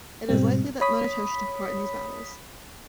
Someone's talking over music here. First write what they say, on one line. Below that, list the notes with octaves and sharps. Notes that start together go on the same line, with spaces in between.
It is likely that Munetoshi took part in these battles.
G#2 B2 G3 C4
C#5 B5 D#6 B6